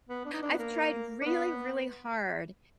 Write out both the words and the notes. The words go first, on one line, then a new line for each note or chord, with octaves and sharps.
I've tried really, really hard
B3
D4
D#4
D4
B3
A#3
D4
B3